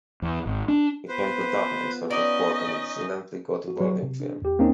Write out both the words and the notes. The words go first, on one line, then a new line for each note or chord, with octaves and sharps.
He came to Dhaka in search of work and accidentally got involved in film.
E2
G#1
D4
B3 F4 B4 C5
C#4 D#4 D5 D#5
F#4
F#3
C3
D4
E2 G4
E2 A#3 C4 C#4 D#4